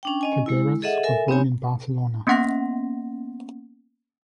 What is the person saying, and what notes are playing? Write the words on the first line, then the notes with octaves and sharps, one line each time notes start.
Figueras was born in Barcelona.
C#4 D4 G5
C#4 D#5 G#5
G#3 E4
G#4 A4 D#5 E5 F#5
A4 A#4 E5 G#5
B3 C4 D#4 G4 C#5 G#5
A#3 B3 C#4 F#5 C6 A#6